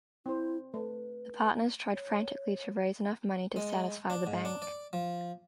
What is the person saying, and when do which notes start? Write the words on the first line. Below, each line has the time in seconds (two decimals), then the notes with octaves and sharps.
The partners tried frantically to raise enough money to satisfy the bank.
0.26 C4 E4 C5
0.74 A3 B4
1.93 C#5
3.56 G#3
4.10 D4
4.27 G#2
4.45 D4
4.62 D5
4.93 F3